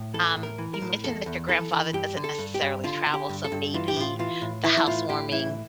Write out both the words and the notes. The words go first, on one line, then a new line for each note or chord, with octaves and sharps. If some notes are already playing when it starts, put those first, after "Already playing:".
um, you mentioned that your grandfather doesn't necessarily travel, so maybe the housewarming
Already playing: A2
E3 A4
A2
A#4
E3
A#4
A2
E2 A4
E2
E3 A4
E3
G2 G4
D3
A4
G2
G4
G2
D3 F4
D3
G4
G2
A4
G2
E3 F4
G4
A2 F4
E3 F4
A2
E3 E4
E4
A2 F4
A2 G4
E3 E4